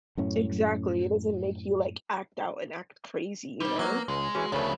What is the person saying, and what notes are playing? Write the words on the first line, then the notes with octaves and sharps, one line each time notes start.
Exactly, it doesn't make you like act out and act crazy, you know?
F#2 A2 C#4
B2 G3 D#4 C5
F#3 A#3 B4 E6 F6
C#2 G#3
E3 C#4 F#4 G#4
D2 C#3 F3 A3 A#4 B4 C#5